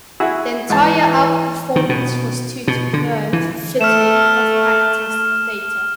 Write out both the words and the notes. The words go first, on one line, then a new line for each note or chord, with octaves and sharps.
The entire outperformance was due to curve fitting of backtested data.
E4 F#4 G#4
G#2 E3 A5
D#3
B2
B2
D3
E3
A3 F6 E7